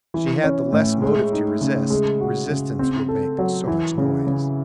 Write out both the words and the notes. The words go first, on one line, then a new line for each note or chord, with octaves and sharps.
She had the less motive to resist, resistance would make so much noise.
E3
C#4
A2
G#3
D#4
C#3
G#3
F#4
C#3
C4
A4
F#3
E3
C#3
C#3